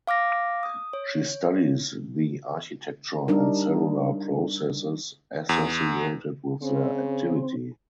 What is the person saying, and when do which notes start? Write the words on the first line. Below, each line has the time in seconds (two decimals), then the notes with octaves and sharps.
She studies the architecture and cellular processes associated with their activity.
0.07 F5 D6 F6 A#6
0.63 D#6
0.93 C#5
3.28 G3 D4 D#4 A#4
5.49 E2
6.62 C#3 C4